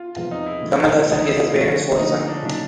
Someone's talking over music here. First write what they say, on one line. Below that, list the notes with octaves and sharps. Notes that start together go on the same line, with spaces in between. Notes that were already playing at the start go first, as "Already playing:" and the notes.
Kamal Hassan is his parents’ fourth son.
Already playing: F4
E2 C3 F3 G#3 F4
D#4
E4
D3 F3 A3
D3 F3 A3 D#4
E4
F4
D3 F3 A3 F#4
D3 F3 A3 D#4
D#4
D4
C#4
C#3 F#3 A#3 D4 D#4